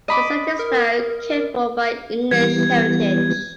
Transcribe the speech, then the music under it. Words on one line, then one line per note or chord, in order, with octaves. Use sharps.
The site is now cared for by English Heritage.
D#5 B5 D6
A#4
E3 G3 B3 G#6